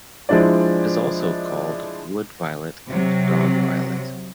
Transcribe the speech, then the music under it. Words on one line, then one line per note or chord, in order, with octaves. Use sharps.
It is also called wood violet and dog violet.
F3 G#3 D4 E4 D5
C3 F#3